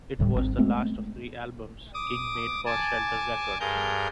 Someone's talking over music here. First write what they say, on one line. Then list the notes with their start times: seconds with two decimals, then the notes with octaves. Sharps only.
It was the last of three albums King made for Shelter Records.
0.19 D1 D2 A2 G3
0.34 G#1 E3 C4
0.59 G#3 A3 B3 C4
1.94 D6 D#6
2.66 G#5 A5 D6
3.60 G2 G#4 A#4 G6